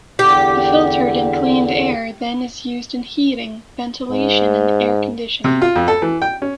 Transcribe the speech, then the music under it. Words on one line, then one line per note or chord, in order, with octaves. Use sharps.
The filtered and cleaned air then is used in heating, ventilation and air conditioning.
E2 D3 G4
G#2
C3
F4
F2
A4
E3
G5
C#4